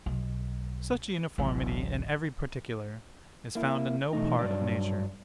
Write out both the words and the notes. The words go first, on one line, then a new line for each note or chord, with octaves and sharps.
Such a uniformity in every particular, is found in no part of nature.
B1
D1 A1
A#3 E4
B2 E3 A3 D#4
G2 F3 F#3 D5